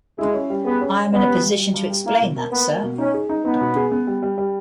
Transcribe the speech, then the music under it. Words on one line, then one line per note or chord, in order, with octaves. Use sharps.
I am in a position to explain that, sir.
G#3 E4
C#4
G3
B3 G#4
C#4
C#4
B3 C#4
G3
G2
G3
G2
G3
A#3 E4
B2
A#4
A#3 B3
A#3
B2
C#4 D#4
G#4
D#4
B3 D#4
B2
G#4
B3
G3
G3
G3